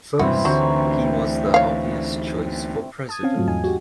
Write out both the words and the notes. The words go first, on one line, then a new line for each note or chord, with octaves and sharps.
Thus, he was the obvious choice for President.
E1 G2 C3 E3 G3 C4 F#4
D2 D3 E3 F#3 C4 A#5 C#6
C#5 F5
A5 D#6 G#6
C4 C#4 F5
G#2 C#3 F3 F#3 A3
E2 D#4 G#5
F#4 G4